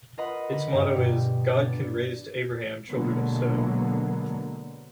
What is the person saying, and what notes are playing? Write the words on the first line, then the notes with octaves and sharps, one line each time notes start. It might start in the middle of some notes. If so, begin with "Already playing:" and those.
Its motto is "God Can Raise to Abraham Children of Stone".
F4 A#4 B4 D#5 F#5 B5
D3 B5 A#6
G2 G#3 G4 F5 A#5
G2 B2 G4
A#3 B3 D4
B2 D3 F#3 G#3 A#3 B3